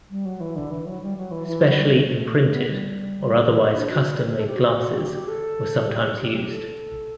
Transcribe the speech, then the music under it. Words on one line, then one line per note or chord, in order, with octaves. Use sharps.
Specially imprinted or otherwise custom-made glasses were sometimes used.
G3
F#3
E3
D3
E3
F#3
G3
F#3
E3
E3
F#3
G3
A3
B3
G3
E3
D4
F#4
A4
G4
F#4
F#4
G4
G4
A4
G4
G4
G4
A4